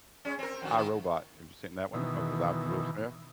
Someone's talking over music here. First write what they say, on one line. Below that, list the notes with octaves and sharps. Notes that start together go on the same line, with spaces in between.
I, Robot, have you seen that one? Oh, with, ah, Will Smith?
G#3 C#4
C4 A#4
F2 D#3 F#4
D#3 E4
B2 D#3 E3